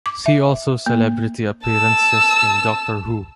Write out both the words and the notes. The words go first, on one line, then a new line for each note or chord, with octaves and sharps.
See also Celebrity appearances in Doctor Who.
D6
E5
A#3
A5 E6